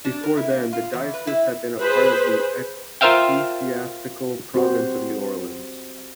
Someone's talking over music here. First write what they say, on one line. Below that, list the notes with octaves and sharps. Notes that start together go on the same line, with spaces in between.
Before then, the diocese had been part of the Ecclesiastical Province of New Orleans.
D4
A#4
E4
A#3
F4
E2
B4
E4
G#4 B4 C5
F4 A#4 C5 E5 F5 G5
C4 F#4 G4 C5